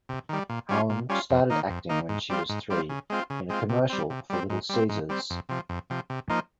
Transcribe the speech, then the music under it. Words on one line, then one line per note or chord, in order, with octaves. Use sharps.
Haun started acting when she was three, in a commercial for Little Caesars.
C3
D#3 G3
A#2
G3 C#4 F4
A#2
G3 C#4 F4
F2
D#3 A#3 D#4
F2
D#3 A#3 D#4
G#2
G3 C4 F4
G#2
G3 C4 F4
C#3
G#3 C4 F4
C#3
G#3 C4 F4
C3
G3 C4
C3
G3 C4
G#2
G3 C4
G#2
G3 C4
F2
C3 F3
F2
C3 F3
C3
F3 A#3 D#4